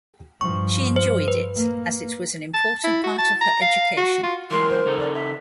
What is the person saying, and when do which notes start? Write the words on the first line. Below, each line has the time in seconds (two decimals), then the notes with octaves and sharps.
She enjoyed it, as it was an important part of her education.
0.41 G2 F3 C#6
0.96 C5
1.28 B4
1.56 A#3
2.54 A5
2.84 E4
3.04 F#4
3.19 A5
3.41 A#5
3.61 F5
3.97 F#4
4.23 F4
4.51 E3 F#3 G#3 A#4 C6
4.70 C5
4.86 C#3 D#4 A4
4.98 D5
5.14 E5